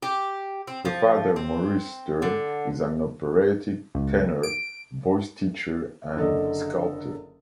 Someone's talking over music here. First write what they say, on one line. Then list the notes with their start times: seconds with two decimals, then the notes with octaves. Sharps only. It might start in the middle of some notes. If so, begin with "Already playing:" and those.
Her father Maurice Stern is an operatic tenor, voice teacher and sculptor.
0.02 G4
0.67 C4
0.85 F3
1.36 C4
2.22 D3
3.95 C#2
4.43 D7
6.16 F#1 D3 A4 D5 D#5